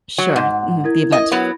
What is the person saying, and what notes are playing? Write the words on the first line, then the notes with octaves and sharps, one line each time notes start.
Sure, mhm, the event.
F#3
G#2 F#5
E4 A#4 G#6
D#5
F#3 B3